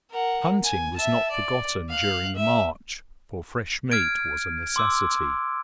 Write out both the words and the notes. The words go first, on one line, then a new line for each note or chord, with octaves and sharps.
Hunting was not forgotten during the march, for fresh meat was a necessity.
A#4 F#5
G#5
E5 A5
D5
F5 F#6
E5
F6 G#6 D7
C6 D6 E6